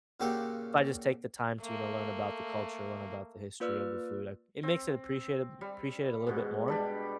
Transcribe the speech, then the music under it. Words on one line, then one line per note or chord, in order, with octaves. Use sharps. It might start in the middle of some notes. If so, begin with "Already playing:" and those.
if I just take the time to, you know, learn about the culture, learn about the history of the food, I it makes it appreciate appreciate a little bit more,
A#2 C#3 F#4 G4 A4
A3 A#3
A#3 F4 B4 D5 E6 F6
C4
G3
G#2 B2
G3 D4 G4